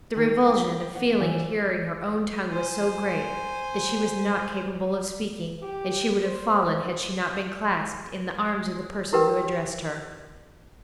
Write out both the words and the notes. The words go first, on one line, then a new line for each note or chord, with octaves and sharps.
The revulsion of feeling at hearing her own tongue was so great that she was not capable of speaking, and she would have fallen had she not been clasped in the arms of the person who addressed her.
D#3
G5
F#5
E3
C5 G#5
G4
C5
E4 G4 A#4 B4 G5